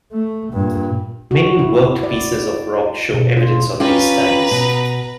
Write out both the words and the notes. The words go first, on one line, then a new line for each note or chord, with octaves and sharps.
Many worked pieces of rock show evidence of these times.
A3
G2 A#2
F#4
E4
D5
B2
F4
C#4 F4 G4 B4 A#5
B2